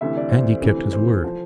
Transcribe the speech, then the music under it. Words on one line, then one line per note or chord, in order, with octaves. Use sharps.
And he kept his word.
D2 C3 E3 E5
D5
C5
D2 C3 E3
C5
F3